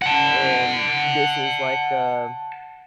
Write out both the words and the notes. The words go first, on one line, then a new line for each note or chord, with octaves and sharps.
and this is like a
F#5 A5